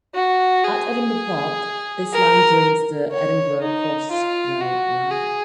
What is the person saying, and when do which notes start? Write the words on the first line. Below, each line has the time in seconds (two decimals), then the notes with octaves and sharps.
At Edinburgh Park this line joins the Edinburgh Crossrail line.
0.15 F#4
0.64 G#4
2.13 A#4
3.12 C#5
3.61 D#4
4.11 F4
4.61 F#4
5.11 G#4